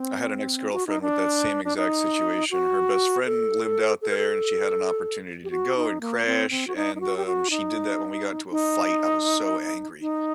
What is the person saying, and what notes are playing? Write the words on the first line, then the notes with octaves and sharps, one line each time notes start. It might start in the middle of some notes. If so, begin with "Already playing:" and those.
I had an ex-girlfriend with that same exact situation. Her best friend lived out there, and she had an opportunity to go and crash, and, um, she did that when we got into a fight, I was so angry,
Already playing: C4
F#4
D#4
D4
D4
D#4
F#4
A4
A4
A#4
A4
G4
F#4
D#4
A#3
C4
C4
F#4
D#4
D#4
F#4
G4
F#4
D#4
D#4
D#4